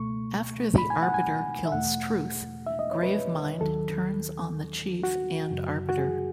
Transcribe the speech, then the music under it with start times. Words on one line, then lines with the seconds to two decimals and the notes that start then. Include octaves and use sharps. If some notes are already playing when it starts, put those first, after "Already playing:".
After the Arbiter kills Truth, Gravemind turns on the Chief and Arbiter.
Already playing: C#2 B2 A3 C#6
0.78 B5
0.90 G#5
1.02 F#5
1.14 G#5
1.65 E5
1.72 E2 B2 A3 F#5
2.67 E5
2.79 D#5
2.91 C#5
3.03 B4
3.61 D#2 D#3 F#3 A4
5.03 F#4
5.51 F#2 C#3 F#3
5.89 F#4
5.98 G#4